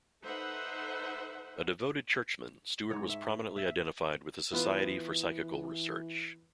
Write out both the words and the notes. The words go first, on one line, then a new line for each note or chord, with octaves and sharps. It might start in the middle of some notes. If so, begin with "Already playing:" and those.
A devoted churchman, Stewart was prominently identified with the Society for Psychical Research.
D#4 A4 B4 C5 E5 F#5
G#2 C#5
E5
E5
E3 B3 F4 B4